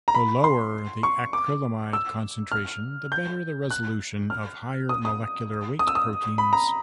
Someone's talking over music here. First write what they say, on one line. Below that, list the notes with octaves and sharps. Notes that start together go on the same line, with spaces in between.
The lower the acrylamide concentration, the better the resolution of higher molecular weight proteins.
A#5
B5
C6
C#6
D6
E6
F6
G6
F#6
F6
D#6
D#6
D#6
E6
D#6
B5
A#5